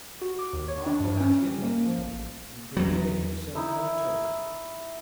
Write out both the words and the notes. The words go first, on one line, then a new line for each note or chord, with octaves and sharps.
After that he had left her, and for a year had sent no token.
F#4
D6
D#2
C#5
D4
G2
C#4
G3
A#3
F3
A1
E2 F#3
D#4 E4 E5